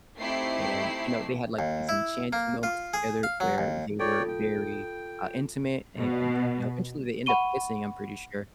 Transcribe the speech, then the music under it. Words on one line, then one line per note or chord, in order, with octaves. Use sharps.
and, you know, they had, like, these enchanting moments together where they were very, uh, intimate and, you know, eventually they end up kissing, I'm pretty sure,
A3 C4 D#4 E4 G4 C7
D#2
E4
A#3
F4
G#4
F5
F#3
D#2
F4 A4 C#5 D5 G5
G5
B2
F#5 B5 C#6 D#7 G7